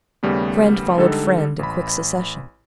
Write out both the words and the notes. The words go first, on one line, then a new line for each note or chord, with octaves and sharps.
Friend followed friend in quick succession.
D#2 C#3 G3 A3 B3
D3 G3 G#3 D#4 A4
A1 B5